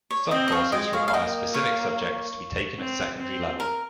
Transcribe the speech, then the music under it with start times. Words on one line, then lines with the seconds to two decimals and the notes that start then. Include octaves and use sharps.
Some courses require specific subjects to be taken at secondary level.
0.11 C#5
0.31 C4 D#5 G5
0.48 D#5
0.52 C#5 F5
0.72 G#3 D#5 G5
0.93 C#5 F5
1.08 F5
1.14 A#3 D#5 G5
1.54 C#5 F5
2.78 C4
3.19 C4
3.60 A#4